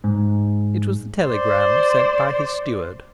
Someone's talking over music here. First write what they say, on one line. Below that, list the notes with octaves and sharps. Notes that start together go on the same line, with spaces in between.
It was the telegram sent by his steward.
G#2
C5 D5